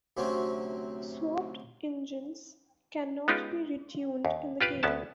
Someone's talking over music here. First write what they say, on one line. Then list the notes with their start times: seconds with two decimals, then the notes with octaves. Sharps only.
Swapped engines cannot be retuned in the game.
0.17 D2 C3 F#3 C4 C#4
3.28 G#3 B3 C#4 D#4 F4 G4
4.25 D#2
4.61 F4 G4 B4 F5
4.83 D2 B3 C#4 A5